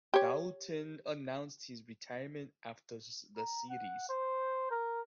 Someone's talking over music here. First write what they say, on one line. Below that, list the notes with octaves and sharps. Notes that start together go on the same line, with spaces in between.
Daulton announced his retirement after the series.
G4 C#5
A#5
F#5
C5
A#4